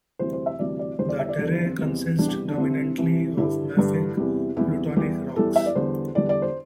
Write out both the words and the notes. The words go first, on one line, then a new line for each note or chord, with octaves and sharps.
The terrae consist dominantly of mafic plutonic rocks.
D2 C3 E3 G3 C5
C5
E5
D2 C3 E3 G3 D5
D5
E2 D3 G3 C5
D5
E5
D5
E2 D3 G3 A4
E4
C4
E2 C3 G3
E2 C3 G3 D4
G4
D4
C2 C3 E3 C4
C2 C3 E3
G2 D3 G3 E4
G2 D3 G3
E2 C3 G3
E2 C3 G3 E4
E2 E3 G3 G4
E2 E3 G3 A4
E5
D5
E2 D3 G3 C5
E2 D3 G3 D5
D5
C5